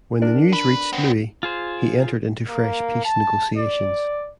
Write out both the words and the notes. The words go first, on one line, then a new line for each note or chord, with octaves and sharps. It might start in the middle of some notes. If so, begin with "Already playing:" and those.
When the news reached Louis, he entered into fresh peace negotiations.
D4 A#4 D5
B4
B3 C4
F4 G#4 C5
A#3
A5
D5